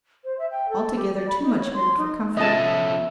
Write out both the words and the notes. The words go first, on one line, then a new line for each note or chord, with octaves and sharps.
Altogether too much married for comfort.
C5
E5
G5
A4
G4
D5
B5
D#4
C#5
C6
D#4
F3 B3 C#4 A4 D#5 E5 A5